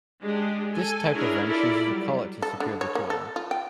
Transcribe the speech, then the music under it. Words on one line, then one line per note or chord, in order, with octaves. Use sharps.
This type of wrench uses a collet to secure the tool.
G#3 D4 G4
A4 G#5
D4 E4 G#4 A#4 C#5
E4 F4 A4 A#4 D5
F#3 G3
A4
D3
C#5
A#3
A4
F4
G5